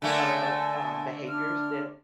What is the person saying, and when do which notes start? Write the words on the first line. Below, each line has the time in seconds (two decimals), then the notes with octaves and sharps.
of, um, behaviors that
0.02 D3 A3 A#3 D5 G#5 A5
1.29 D4 F6